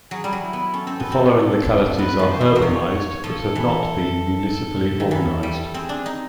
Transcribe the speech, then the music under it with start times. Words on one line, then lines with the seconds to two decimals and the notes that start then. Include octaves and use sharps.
The following localities are urbanized, but have not been municipally organized.
0.11 F#3 G#4
0.24 G3
0.33 F#3
0.42 E4
0.53 B3
0.73 C#4 A4
0.87 C4
1.00 B3
1.12 C4
1.98 B3 B4
2.19 F3
2.31 C5
2.41 E3
2.56 F#3
2.61 F3 C#5
3.24 F3 A4
3.55 E3
4.49 A4
5.00 D#3
5.11 E3 A4
5.43 G3
5.74 C4 G#4
5.89 D4
6.06 D#4